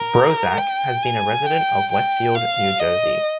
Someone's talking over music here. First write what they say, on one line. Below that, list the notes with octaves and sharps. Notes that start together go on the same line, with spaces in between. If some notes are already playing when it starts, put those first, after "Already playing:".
Brozak has been a resident of Westfield, New Jersey.
Already playing: A#4
G5
G#5
G5
G5
F5
D#5